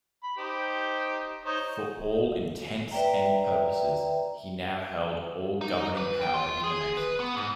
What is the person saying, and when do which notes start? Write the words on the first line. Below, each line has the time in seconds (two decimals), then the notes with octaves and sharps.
For all intents and purposes, he now held all governing power in the nation.
0.23 B5
0.38 D#4 G4 C5
1.45 D#4 C5 C#5
2.91 B4 D5 E5 G5 A#5
5.61 D#4
5.98 B4
6.21 G5
6.34 F4
6.64 G#4
6.97 B4
7.20 B3
7.36 G#2